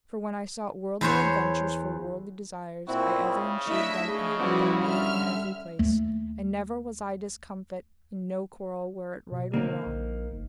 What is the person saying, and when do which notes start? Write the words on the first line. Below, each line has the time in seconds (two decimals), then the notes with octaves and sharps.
For when I sought worldly adventures for worldly desires, I ever enchieved them and had the better in every place, and never was I discomfit in no quarrel, were it right or wrong.
1.01 E2 C5 C#5
2.88 A#2 C4 E4 F#4
3.25 C#3
3.67 A3 D4 E4 D#5 E5
4.06 C#3 G#4
4.39 F3 G3 B3 C#4 E4 F#4 C5 D5
4.84 D3 E5 F6
5.79 D#2 A3
9.32 B2
9.54 D3 A#3 C4 D#4
9.86 A#1
10.31 G1